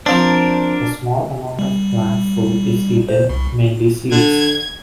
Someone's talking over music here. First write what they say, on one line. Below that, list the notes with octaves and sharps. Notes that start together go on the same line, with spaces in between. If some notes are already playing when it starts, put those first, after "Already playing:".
A small amount of plant food is eaten, mainly seeds.
F3 C4 D4 A#4
G3
C5
C2
D3 G#6